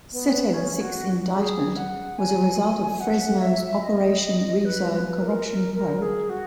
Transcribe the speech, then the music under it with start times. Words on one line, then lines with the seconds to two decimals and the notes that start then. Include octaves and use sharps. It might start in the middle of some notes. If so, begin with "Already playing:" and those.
Setencich's indictment was a result of Fresno's Operation Rezone corruption probe.
0.12 B3
0.54 C#4
0.81 F#4
1.36 G#4
1.76 F#5
2.18 G#5
3.00 F#5
3.42 E5
3.83 D#5
4.65 B4
4.93 B4
5.20 A#4
5.47 A#4
5.75 A#4
6.02 G#4
6.30 F#4